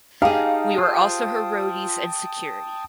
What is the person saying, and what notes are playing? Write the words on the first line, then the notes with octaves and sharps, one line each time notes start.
We were also her roadies and security.
D#4 G4 G#4 F5 G5 A5 D#6
F4 C5